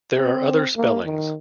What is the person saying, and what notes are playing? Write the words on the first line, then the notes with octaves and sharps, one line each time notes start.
There are other spellings.
C4
A#3
D#3